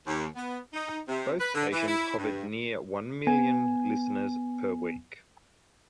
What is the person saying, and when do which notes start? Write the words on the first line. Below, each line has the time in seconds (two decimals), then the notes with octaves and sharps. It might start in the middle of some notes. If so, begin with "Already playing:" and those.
Both stations hovered near one million listeners per week.
0.07 D#2
0.36 B3
0.74 D#4
1.08 C3
1.40 B4
1.55 D3
1.72 E3
1.88 E4
2.18 G2
3.27 B3 G#5